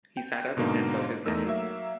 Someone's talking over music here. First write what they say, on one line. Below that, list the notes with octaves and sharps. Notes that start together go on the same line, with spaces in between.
He sat up and felt his neck.
G5
G#2 B2 D3 A#3 D#4
E2 A3 D#4 A#4 E6
F#3 A#3 E5